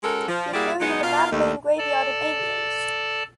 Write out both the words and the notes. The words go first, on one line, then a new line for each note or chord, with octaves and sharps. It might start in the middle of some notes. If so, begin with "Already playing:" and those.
He is buried in the Madelaine graveyard in Amiens.
G#3 C#4 F#4 A4 A#4
F3
G3 A#3 E4 F#4 G#4 D5
F#3 G#3 B3 D#4
B2 F4 A#4 F5
D#2 A3
A4 D5 A5